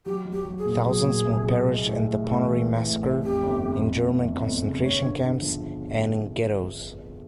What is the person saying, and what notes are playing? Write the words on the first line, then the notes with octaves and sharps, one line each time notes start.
Thousands more perished in the Ponary massacre, in German concentration camps, and in ghettos.
F#3 G4
F#3
G4
F#3
G#4
A#2
F#3 G#4
A#2
C2
F#3
G#3
A2
A2
A2
E3
A2
A2
A2
F2 G4
G1
F2
G1
G1
F2
G1
C#3
G2 C#5
D3
D3
F3